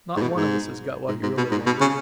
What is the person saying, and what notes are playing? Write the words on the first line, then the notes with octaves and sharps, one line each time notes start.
Not one of us has got what he really wanted.
G#2
B2
G#2
G#2
G#2
B2
G#2
B2
C#3